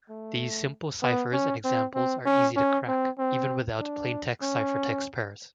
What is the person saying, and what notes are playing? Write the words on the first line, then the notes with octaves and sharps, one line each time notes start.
These simple ciphers and examples are easy to crack, even without plaintext-ciphertext pairs.
A3
B3
C#4
C4
C4
C#4
C#4
C4
C4
D4
C#4